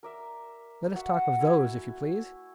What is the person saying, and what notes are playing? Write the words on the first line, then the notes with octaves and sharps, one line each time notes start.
Let us talk of those, if you please.
A#4 D5 E5
F#4 E5 F#5
A3 E4 G#5